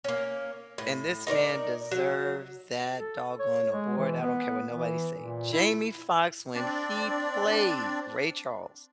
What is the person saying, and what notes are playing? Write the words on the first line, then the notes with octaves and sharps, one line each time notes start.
And this man deserves that doggone award, I don't care what nobody say. Jamie Foxx when he played Ray Charles,
A#3 C#4
A2
D#4 A#4 C#5 D5
F#3
A4
C#5
G#3
E3
B3
E3
A#2
E4
C4 D4 D5